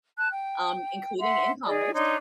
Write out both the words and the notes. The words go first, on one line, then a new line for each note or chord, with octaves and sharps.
um, including in commerce
A5 F#6
G5
E5 F#5 C6
G#4 D5 D#5
D4 D#4 C#5 C6